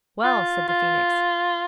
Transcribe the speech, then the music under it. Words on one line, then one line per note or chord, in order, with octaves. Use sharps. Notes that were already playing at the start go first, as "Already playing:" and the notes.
'Well!' said the Phoenix.
F4
F4